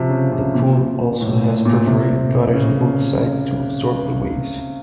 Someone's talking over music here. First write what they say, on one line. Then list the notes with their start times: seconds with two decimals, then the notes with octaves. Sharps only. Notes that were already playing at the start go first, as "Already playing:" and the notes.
The pool also has perforated gutters on both sides to absorb the waves.
Already playing: C3 F3
0.09 C#3
0.32 C3
0.54 A#2
1.21 A2
1.43 A2
1.65 A#2
1.86 C3
2.54 C#3